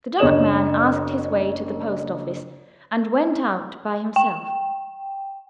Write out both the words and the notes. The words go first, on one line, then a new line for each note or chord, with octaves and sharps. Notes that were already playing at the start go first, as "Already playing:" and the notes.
The dark man asked his way to the post-office and went out by himself.
F#1 D4 C#5 D#5 E7 F#7
G5